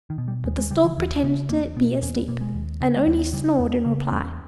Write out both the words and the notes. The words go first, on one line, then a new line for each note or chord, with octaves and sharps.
But the Stork pretended to be asleep, and only snored in reply.
D#3
B2
G3
D#2 G#3
G#3
C#3 G3
E3
D#2 E3
C#3 B3
E2 A#3
B2 B3
E2 C#4
B3
B2 A#3
G#3
D#2
C#3
G#3
D#2 G3
C#3 G3
E2 B3
C#3
E2 C#4